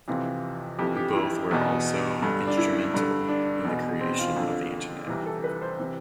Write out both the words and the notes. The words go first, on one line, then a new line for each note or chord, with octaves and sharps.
Both were also instrumental in the creation of the Internet.
F2 C3 E3 F4
F2 E3 G4
G4
E4
E2 B2
G2 D3
D4
E4
G2 D3
D4
E2 B2
C4
F4
F2 D3
C2 C3 E3
A4
B4
C5
C3 E3